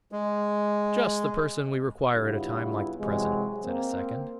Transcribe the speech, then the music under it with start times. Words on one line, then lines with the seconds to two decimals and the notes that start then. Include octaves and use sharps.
"Just the person we require at a time like the present," said a second.
0.12 G#3
2.13 G2 C#3 B3 E4 F4
2.99 C3 E3 F#3 G#3
3.64 A#3 C4